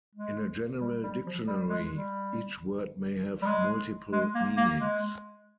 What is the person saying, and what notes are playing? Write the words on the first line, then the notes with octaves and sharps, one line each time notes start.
In a general dictionary, each word may have multiple meanings.
G#3
G3
G3
F3
G3
G#3
G3
G3
G#3
G#3
A#3
A#3
G#3